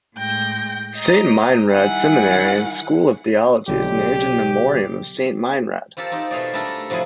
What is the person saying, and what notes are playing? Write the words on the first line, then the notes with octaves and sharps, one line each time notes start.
Saint Meinrad Seminary and School of Theology is named in memoriam of Saint Meinrad.
A2 G#3 G5 G6 A#6
D#5 A#5
D#3 G3 E4 F#5 G#5
B1 D3 G4
C4 F4 G4 A4 A#4
C4 D#4 G4
B2 A3 G#4 D5
G3 A3 D4 A4 A#4
C3 F3 F#3 E4 G#4